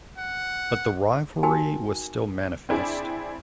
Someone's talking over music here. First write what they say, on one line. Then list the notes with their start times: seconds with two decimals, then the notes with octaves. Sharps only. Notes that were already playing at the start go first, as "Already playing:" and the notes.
But the rivalry was still manifest.
0.17 F#5
1.43 D#4 F#4 A#4 G5 G#5
2.69 C4 D4 E4 G#4 D5